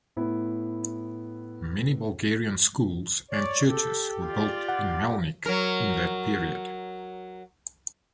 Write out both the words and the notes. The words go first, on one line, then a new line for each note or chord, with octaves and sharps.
Many Bulgarian schools and churches were built in Melnik in that period.
A2 B3 E4
C#5 D5
G4 A4
F4 D5
F#5
F#3 A#4